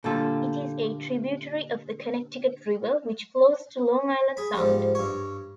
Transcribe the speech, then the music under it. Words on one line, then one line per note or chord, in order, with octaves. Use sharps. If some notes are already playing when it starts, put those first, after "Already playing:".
It is a tributary of the Connecticut River, which flows to Long Island Sound.
A#2 D3 G3 F4 A4
G#4 B5
G#2 F3 G3
G2 C#5